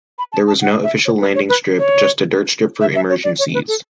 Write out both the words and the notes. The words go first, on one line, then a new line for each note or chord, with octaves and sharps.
There was no official landing strip, just a dirt strip for emergencies.
B5
A5
A5
F#5
E5
C#5
B4
C#5
B4
C#5
E5
E5
C#5
D5
C#5
B4
A4